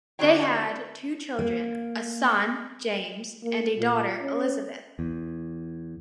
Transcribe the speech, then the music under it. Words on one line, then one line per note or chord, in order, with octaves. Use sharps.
They had two children; a son, James, and a daughter, Elizabeth.
D3 C4 D4 F#4 C#5 G5
A#3
A#3
A#2
C#4
E2